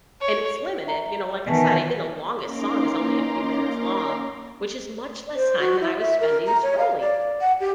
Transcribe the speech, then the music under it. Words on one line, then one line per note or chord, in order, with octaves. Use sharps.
and it's limited, you know, like, I said, even the longest song is only a few minutes long, which is much less time than I was spending scrolling.
C#5
E5 A#5
B2 D#3 E3 B4 E5 G#5 A5
A#3 C#4 D#4 A#5 C6 D6
C5
F#4
E4
E5
A#4
A#5
C#5
F5
D5
F#5
G4